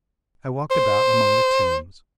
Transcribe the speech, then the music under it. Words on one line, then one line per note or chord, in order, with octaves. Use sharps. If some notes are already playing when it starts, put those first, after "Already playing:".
I walked about among the tombs.
C5